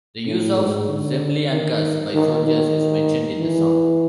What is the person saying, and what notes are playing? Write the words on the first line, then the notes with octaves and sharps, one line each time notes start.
The use of zemlyankas by soldiers is mentioned in the song.
A2
G#2
D3
D#3
D#3
D#3
E3